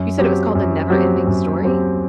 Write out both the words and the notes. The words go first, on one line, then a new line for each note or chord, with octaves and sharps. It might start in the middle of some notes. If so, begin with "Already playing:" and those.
You said it was called The NeverEnding Story?
Already playing: F#2
F#3 C4 G4
F#2
F#3 C4 G4
F#2
F#3 C4 G4